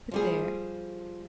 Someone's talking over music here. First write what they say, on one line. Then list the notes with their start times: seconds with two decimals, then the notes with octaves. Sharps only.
But there!
0.11 F3 G3 G#4